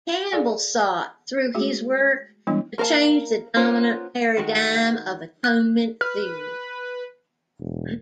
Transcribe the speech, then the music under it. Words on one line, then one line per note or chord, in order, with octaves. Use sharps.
Campbell sought, through his work, to change the dominant paradigm of atonement theory.
G#4 A4 D5 F5 G#5
G#3 A3 F#4 G#4
E3 G3 G#3 B3 D4 E4
A#3 A#4 C5 F5 A5
A#3 B3 C#4 F4 C5
D#3 G#3 F#4
F#6
B4 F6
E1